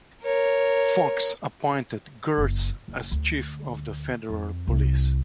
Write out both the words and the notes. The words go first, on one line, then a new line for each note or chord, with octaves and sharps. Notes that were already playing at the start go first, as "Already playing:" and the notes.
Fox appointed Gertz as chief of the Federal Police.
A#4 C#5
F#1
F#1
D2
F2
C2